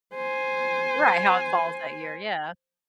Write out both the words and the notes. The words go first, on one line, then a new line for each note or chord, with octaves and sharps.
Right, how it falls that year, yeah.
C5 G#5